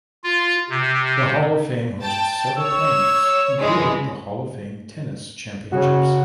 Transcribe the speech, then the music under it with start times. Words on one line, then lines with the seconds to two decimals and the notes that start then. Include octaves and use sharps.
The Hall of Fame hosts several tournaments, including the Hall of Fame Tennis Championships.
0.24 F4
0.70 C3
2.01 G5 A5
2.58 C#5 E6
3.59 F#2 E3 G#3
5.72 C#3 F#4